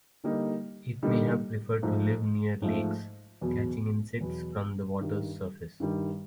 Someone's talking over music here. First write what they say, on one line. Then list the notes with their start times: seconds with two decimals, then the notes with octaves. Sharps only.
It may have preferred to live near lakes, catching insects from the water's surface.
0.24 D3 G3 A#3 D#4
1.03 D3 G3 A#3 D#4
1.82 G#2 F3 A3
2.62 G#2 F3 A3
3.41 E2 B2 F#3 B3
4.21 E2 B2 F#3 B3
5.01 G2 D#3 G3
5.80 G2 D#3 G3